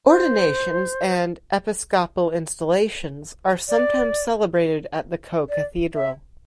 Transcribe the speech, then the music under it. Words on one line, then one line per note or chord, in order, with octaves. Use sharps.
Ordinations and episcopal installations are sometimes celebrated at the co-cathedral.
C5
D5
D5
E5